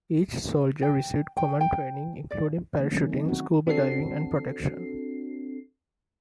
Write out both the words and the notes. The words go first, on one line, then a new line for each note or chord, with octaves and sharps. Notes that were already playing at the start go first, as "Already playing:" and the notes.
Each soldier received common training including parachuting, scuba diving and protection.
G5
G5
G5
D5
D#3 A3 A#3
D#3 F#3 A3 C#4
C4 D#4
C4 F#4
C4 D4 F#4 A4 C7